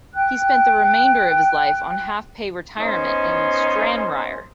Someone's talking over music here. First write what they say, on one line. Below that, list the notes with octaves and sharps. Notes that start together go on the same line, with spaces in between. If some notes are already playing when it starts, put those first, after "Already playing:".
He spent the remainder of his life on half pay retirement in Stranraer.
G5 F#6
B3 C#4 D#4 C5